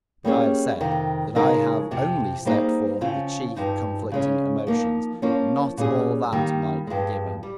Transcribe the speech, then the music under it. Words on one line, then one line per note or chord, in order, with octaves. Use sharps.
But I have said, that I have only set forth the chief conflicting emotions, not all that might be given.
G3 A#3 C#4 G#4
F2 C3 D#3
C#3 F3 G#3 D#4 A#4
F2 C3 F3
G3 A#3 D#4 G#4 C5
C#3 F3 C4 F4
G2 F3 G#3 D#4
C#3 G#3 C#4
F3 A#3 D#4
F3 A#3 C#4 F4
A#2 G3 C#4 G#4
D#3 G3 A#3
G2 F3 G#3
G3